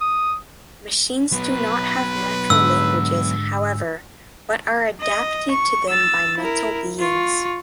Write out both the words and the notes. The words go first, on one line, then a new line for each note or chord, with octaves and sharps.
Machines do not have natural languages, however, but are adapted to them by mental beings.
D#6
F#3 B3 B4
G#2 D3 E6
D#5
C#6
E6 A6
E4 A#4
F4 C#6